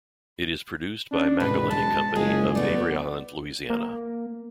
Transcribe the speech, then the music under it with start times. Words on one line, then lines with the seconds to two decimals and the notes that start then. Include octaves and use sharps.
It is produced by McIlhenny Company of Avery Island, Louisiana.
1.12 C#4 D4
1.40 E1 D2 G#2 C3 B4
1.71 G#3 C#4 A5
2.15 F#1 G#3 C#4 F4 G#4
2.55 A3 B3 D5
3.70 A#3